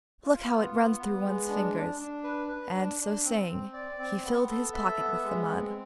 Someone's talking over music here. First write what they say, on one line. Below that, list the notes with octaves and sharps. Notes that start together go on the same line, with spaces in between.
Look how it runs through one's fingers!' and, so saying, he filled his pocket with the mud.
F4
B3
B3
B3
G#3
D4
D4
D4
B4
B4
D4
D4
C4
C4
D5
C4
B3
A4
E5
B3
G#3
C4